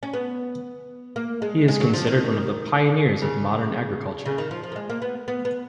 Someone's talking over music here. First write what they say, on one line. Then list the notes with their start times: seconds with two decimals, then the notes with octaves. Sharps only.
He is considered one of the pioneers of modern agriculture.
0.03 C#4
0.14 B3
1.16 A#3
1.42 G#3
1.68 G#3
1.80 F#3
1.94 F3
2.07 D#3
3.22 C#3
4.26 C#3
4.38 D#3
4.51 F3
4.63 F3
4.72 A#3
4.76 G#3
4.90 A#3
5.02 B3
5.28 B3
5.45 B3